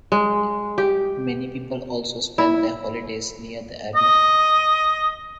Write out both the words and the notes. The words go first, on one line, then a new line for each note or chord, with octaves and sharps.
Many people also spend their holidays near the abbey.
G#3
G4
E4
D#5